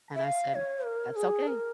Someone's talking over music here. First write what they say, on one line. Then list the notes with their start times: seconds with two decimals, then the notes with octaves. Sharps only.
and I said, "That's okay"
0.15 E5
0.24 F5
0.55 C#5
0.85 A#4
1.16 G#4
1.47 A#4